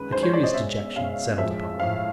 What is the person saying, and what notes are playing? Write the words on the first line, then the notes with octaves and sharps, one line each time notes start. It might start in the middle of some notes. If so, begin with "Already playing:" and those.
A curious dejection settled upon Robin.
Already playing: F#2 D#3 G#3 B4
F#2 D#3 G#3 C5
C#5
D5
D#5
B2 G#3 C#4 E5
B2 G#3 C#4 F5
A2 F3 G#3 E5
A2 F3 G#3 F5